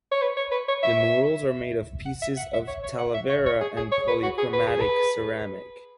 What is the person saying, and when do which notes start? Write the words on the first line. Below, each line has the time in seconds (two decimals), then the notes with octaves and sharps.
The murals are made of pieces of talavera and polychromatic ceramic.
0.11 C#5
0.22 B4
0.37 C#5
0.52 B4
0.68 C#5
0.83 E5
2.06 F#5
2.22 E5
2.37 F#5
2.53 E5
2.68 C#5
2.83 C#5
2.98 F#5
3.14 E5
3.29 C#5
3.46 C#5
3.61 G#4
3.77 G#4
3.92 C#5
4.07 B4
4.23 F#4
4.38 G#4
4.53 B4
4.67 G#4
4.81 B4